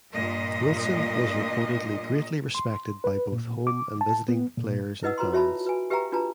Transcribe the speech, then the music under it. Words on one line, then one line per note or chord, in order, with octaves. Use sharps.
Wilson was reportedly greatly respected by both home and visiting players and fans.
G2 A#2 D#5
C6
B4
A#2
D6
A5
B3
A#2
E4 B4 D#5 F#5 E6
F4 B4 A#5 C6
F#4 C#5 E5 A5 B5
B4 G#5
G4 B4 E5 F5 G5 A#5
D4 F4 B4 A5 A#5